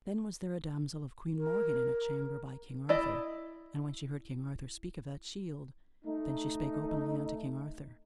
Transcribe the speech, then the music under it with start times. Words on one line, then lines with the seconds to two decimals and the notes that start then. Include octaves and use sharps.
Then was there a damosel of Queen Morgan in a chamber by King Arthur, and when she heard King Arthur speak of that shield, then she spake openly unto King Arthur.
1.37 A#4
2.89 E4 D5 D#5
6.05 A3 D#4